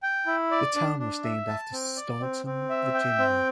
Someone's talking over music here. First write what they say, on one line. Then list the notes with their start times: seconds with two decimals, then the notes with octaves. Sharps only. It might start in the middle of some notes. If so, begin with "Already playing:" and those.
The town was named after Staunton, Virginia.
0.03 G5
0.26 E4
0.51 D5
0.76 D4
0.99 D4
1.24 E5
1.48 A5
1.72 C4
1.96 D5
2.21 C4
2.46 C4
2.70 E5
2.94 G5
3.19 C4